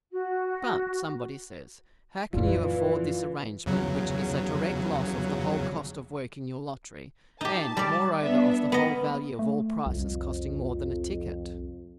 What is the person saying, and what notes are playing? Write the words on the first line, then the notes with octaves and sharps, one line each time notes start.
"But," somebody says, "how can you afford this arrangement, which is a direct loss of the whole cost of working your lottery, and moreover of the whole value of all prizes costing more than a ticket?"
F#4
F#2 A#2 E3 F3 F4
E2 C#3 F#3
D#4 G4 A5
G3 D5
B3 D4 E5
A#3 B3 D#5
A3
C2 F2